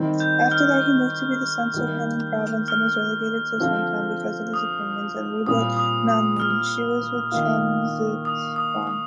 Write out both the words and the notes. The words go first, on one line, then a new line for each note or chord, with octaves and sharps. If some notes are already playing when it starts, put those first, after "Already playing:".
After that, he moved to be the censor of Henan Province, and was relegated to his hometown because of his opinions, and rebuilt Nanyuan She with Chen Zizhuang.
Already playing: D#3 G3 C4 D#4
G6
F6
D#3 G3 A#3
F6
D3 F3 C4 F4
D#6
A#2 G3 C4 F4 D#6
D#6
D#6
F6
D#3 A#3 F4
D#6
D#6
D#6